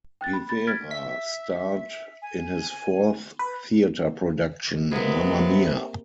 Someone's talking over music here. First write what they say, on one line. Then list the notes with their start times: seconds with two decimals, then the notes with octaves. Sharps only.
Rivera starred in his fourth theater production, Mamma Mia!
0.21 G5 F#6 A6
0.33 B5
0.49 B5 A6
0.67 F6 G#6 A6 B6 D7
0.91 E5 B6
2.22 G#5
3.39 B4
4.91 C3 F#3 G#3 A#3 B3 G#4